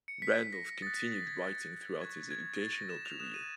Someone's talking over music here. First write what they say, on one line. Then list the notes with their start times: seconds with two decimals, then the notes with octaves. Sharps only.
Randolph continued writing throughout his educational career.
0.08 C#7
0.22 B6
0.53 A#6
0.82 D#6 F#6 A6
0.96 A#6
1.12 A6
1.26 G#6
1.42 A6
2.00 C#6 F#6 G#6
2.31 G#6
2.60 A6
2.75 A#6
2.90 E7
3.05 F7
3.19 D#6 F#6 E7
3.34 D#7